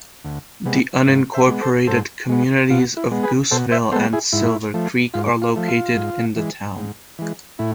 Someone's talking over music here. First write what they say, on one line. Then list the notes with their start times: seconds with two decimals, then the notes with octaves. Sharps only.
The unincorporated communities of Gooseville and Silver Creek are located in the town.
0.24 D2
0.65 C3 G#3 B3
1.07 G#2
1.33 C5 E5
1.47 G#3 B3
1.61 A4 C5
1.88 G#2 A4 C5
2.29 G#3 B3
2.70 B2 F4
2.97 E4
3.11 G#3 B3
3.23 G#4 B4
3.51 B2 A4 C5
3.71 C5 E5
3.92 B3 A4 C5
3.95 G#3
4.13 E4 G#4
4.33 G#2 E4
4.74 F3 A3
5.14 G#2 F4
5.42 F4
5.55 F3 A3
5.68 F4
5.96 G#2
6.36 E3 G#3
6.77 G#2
7.19 E3 G#3
7.59 A2 E4